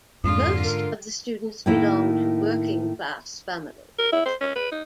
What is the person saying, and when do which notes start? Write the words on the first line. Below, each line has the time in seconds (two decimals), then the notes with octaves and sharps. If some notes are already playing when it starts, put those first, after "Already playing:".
Most of the students belong to working class families.
0.24 F2 G#2 D3 F4 D#6
0.62 A#4
1.66 A2 D#3 A#3 D#4 E4
3.99 A#4
4.12 E4
4.26 C5
4.41 C#4
4.56 B4
4.72 D#4